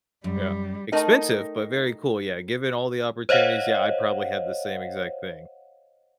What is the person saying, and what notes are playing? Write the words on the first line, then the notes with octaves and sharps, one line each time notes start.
Yeah. Expensive, but very cool. Yeah, given all the opportunities, yeah, I'd probably had the same exact thing.
F#2 G3
A3 D#4 A#4 D#5 G5
C5 C#5 D#5 F5 F#5